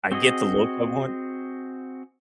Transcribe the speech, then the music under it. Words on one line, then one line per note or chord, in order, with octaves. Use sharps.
I get the look I want.
C4 F#4 G#4 D#5